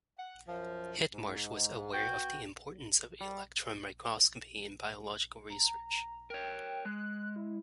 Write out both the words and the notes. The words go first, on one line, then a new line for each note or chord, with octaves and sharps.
Hindmarsh was aware of the importance of electron microscopy in biological research.
F#5
F#2 F3
G#2
B3 F#4 G5
G3
A#5
A#4 C#5 G5
G#3 F#6
E4